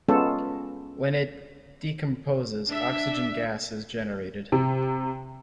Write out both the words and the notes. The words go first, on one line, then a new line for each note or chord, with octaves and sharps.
When it decomposes, oxygen gas is generated.
G#3 B3 C#4 F4 A4
D4 E5
C3